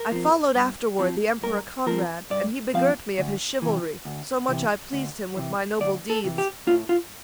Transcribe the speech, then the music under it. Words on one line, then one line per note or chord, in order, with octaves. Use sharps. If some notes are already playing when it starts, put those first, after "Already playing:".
I followed afterward the Emperor Conrad, And he begirt me of his chivalry, So much I pleased him with my noble deeds.
Already playing: A#4
F3 C4
G2
F3 C4
G2 A#4
F3 C4 A#4
G2 D5
F3 C4 F5
D2
C3 E3
D2
C3 E3
D2
C3 E3
D2 D5
A4
C3 E3
G4
A2 F4
F4